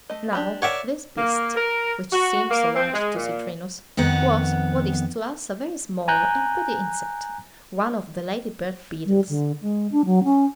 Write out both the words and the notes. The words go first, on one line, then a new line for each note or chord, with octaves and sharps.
Now this beast, which seemed so large to Citrinus, was what is to us a very small and pretty insect, one of the lady-bird beetles.
A3 D#5
D4 G4 B5
A#4 C#5 D5 E5 F#5 G5
A#3
A#4
F#4
A#3
C4
G#3
A#2
F2 D#3 B3 F#5
G#5 A#5 F#6 G6
G3
D3
G#3
D4
F#3
C#4